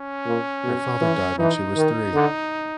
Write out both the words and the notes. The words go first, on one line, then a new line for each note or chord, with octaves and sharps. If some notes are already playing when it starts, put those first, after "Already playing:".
Her father died when she was three.
Already playing: C#4
A#2
B2
E3
E3 D#4
D#3
D3